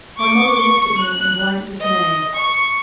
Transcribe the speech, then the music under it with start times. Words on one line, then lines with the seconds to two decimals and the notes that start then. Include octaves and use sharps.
My mother looked at me in blank dismay.
0.18 C#6 D6
0.58 C#6
0.98 F#6
1.80 D#5
2.35 C#6